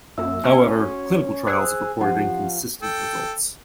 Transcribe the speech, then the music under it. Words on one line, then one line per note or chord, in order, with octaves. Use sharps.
However, clinical trials have reported inconsistent results.
F#2 A#3 E5 E6
C#4
F#4
G#4 C5 E6 F#6
F3 C#4 G4 F#5
A4 G5